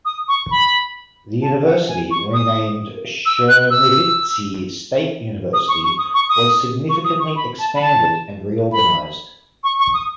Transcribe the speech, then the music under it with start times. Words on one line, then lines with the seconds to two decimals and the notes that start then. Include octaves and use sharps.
The university, renamed "Chernivtsi State University", was significantly expanded and reorganized.
0.05 D#6
0.28 C#6
0.51 B5
1.42 A5
1.65 F#5
1.88 G#5
2.11 C#6
2.34 D#6
3.26 E6
3.48 F#6
3.70 E6
5.53 D#6
5.68 C#6
5.83 C#6
5.98 D#6
6.14 C#6
6.29 D#6
6.89 C#6
7.04 D#6
7.20 C#6
7.36 B5
7.59 A5
7.75 B5
7.81 A5
8.72 B5
9.64 C#6
9.79 C#6
9.94 D#6